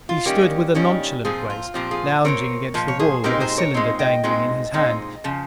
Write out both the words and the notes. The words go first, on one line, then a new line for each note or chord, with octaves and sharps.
He stood with a nonchalant grace, lounging against the wall with a cylinder dangling in his hand.
F4
D#3 G3 A#3 C#4 G4
D#3 G3 A#3 C#4
A#2 F3 C4 F4 G#4
F4
A#2 F3 C4 G4
F4 G#4
A#2 F3 C4 A#4 C#5
A#2 F3
C#5
G#4 C5
A#2 G#3 C4 D#4 G4 A#4
G#4 C5
A#4 C#5
A#2 G#3 C4 D#4
D#5 G5
A#2 G#3 C4 D#4
A#2 G#3 C4 D#4
C#3 F3